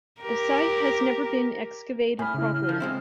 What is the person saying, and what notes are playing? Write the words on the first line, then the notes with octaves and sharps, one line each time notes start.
The site has never been excavated properly.
G4 A#4
A2 G#5 B5 F6
C#3 E4
F3
G#3 C4 E4